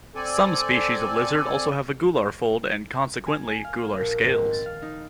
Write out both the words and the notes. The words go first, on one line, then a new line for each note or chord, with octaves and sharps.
Some species of lizard also have a gular fold and consequently, gular scales.
C4 A4 D5 G#5
G#5
F5
A#3
A#1
G#1
A6
F5
D#4